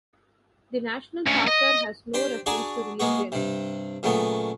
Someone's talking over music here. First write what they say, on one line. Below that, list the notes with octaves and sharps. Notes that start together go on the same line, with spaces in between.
The National Charter has no reference to religion.
D2 C#3
D#5
D4 G4 C5 G5 C6
D4 F#4 G#4 D5 A5 A#5
G#3 A#3 B3 F#4
G2 C3
A#2 C#3 F#3 A3 B3